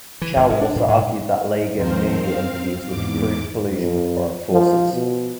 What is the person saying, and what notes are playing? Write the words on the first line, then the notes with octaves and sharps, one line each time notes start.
Chau also argued that Lai gave media interviews which "proved" collusion with foreign forces.
E3
G#1
G#2
D4
A2
G#2
D#2 D#3 F3 C4 A#4 C5
C4 F5
E2 G#2 D6
F2
F3
B2